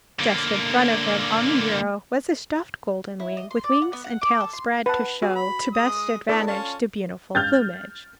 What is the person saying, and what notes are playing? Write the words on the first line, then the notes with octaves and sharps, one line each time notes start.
Just in front of him, on the bureau, was a stuffed golden-wing, with wings and tail spread to show to best advantage the beautiful plumage.
D3 A#3
E4
D#5
C6
D5
F#5
B3
F#5
D6
A4
C6
B4 F#5 A5
F#4 G#4
B5
G#3 D#6
B3 D4 E4 A4 D5
C#4 F4 A5
F6 G6 A6